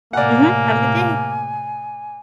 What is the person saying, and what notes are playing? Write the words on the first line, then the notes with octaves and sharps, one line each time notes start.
Mhm. Have a good day.
A2 C3 A#3 D5 F#5 G#5